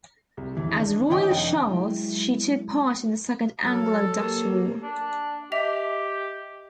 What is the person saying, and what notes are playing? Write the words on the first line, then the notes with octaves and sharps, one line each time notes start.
As "Royal Charles" she took part in the Second Anglo-Dutch War.
C2
E1 E3
D4
E3 C#5 D#5 G5 G#5 D#6
F1 D4 D#5 G5
F#3 G#3 E4
F#3 A4 F6 A6
A#3 G4 A#4
D4
G4 D#5 E5 F7